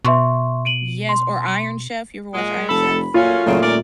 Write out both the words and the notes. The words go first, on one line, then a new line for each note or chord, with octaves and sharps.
Yes, or Iron Chef, you ever watched Iron Chef?
B2 E5 C6 C#6
D7 D#7 F#7
C6
A#2 G#3
F1 A4 B5
F#2 A#2 A3 C#4 F4
F#1 A#2 C#3 A3
D#1 C#4 A#4 D5